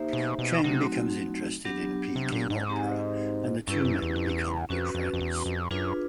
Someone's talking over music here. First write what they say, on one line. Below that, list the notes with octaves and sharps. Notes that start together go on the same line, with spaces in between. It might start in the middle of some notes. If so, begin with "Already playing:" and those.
Cheng becomes interested in Peking opera and the two men become good friends.
Already playing: A#3 D#4 G4 C5 E5
B2
B2
C3 F#3 A3 C4 D#4 F#4
F#3 B3 D4 G4
C3
A#2
G#2
C4 D#4 G4
G2 C#4 E4 G4 B4
F#2
E2
F2
E2
F2 C#4 F#4 B4
F2
F2
E2
F2
F#2 D4 F4 G#4 B4